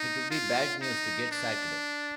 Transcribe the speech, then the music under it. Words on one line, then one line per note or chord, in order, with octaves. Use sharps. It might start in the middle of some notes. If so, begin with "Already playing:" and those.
It would be bad news to get sacked.
Already playing: D#4
F4
D#4
D4